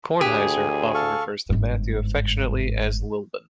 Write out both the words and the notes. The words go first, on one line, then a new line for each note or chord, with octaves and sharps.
Kornheiser often refers to Matthew affectionately as Lilbon.
D2 G4 G#4
A4 F5 C#6
G1 G#2